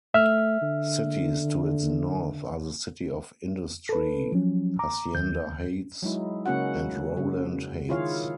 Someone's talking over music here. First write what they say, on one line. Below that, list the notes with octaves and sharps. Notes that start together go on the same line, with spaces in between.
Cities to its north are the City of Industry, Hacienda Heights, and Rowland Heights.
A3 E5 F6
D3
A4 B4
F3 F#3 C#4
A#5 D6
D#2 G6
F#3 G#3 D#4 E4
C#3 A#3 C#4 F#4 F#5
C#3
D#3 E4 F4 G#4 C#5 F5